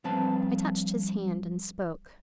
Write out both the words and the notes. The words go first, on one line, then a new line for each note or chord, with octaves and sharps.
I touched his hand, and spoke.
G2 F3 C4 B4 A5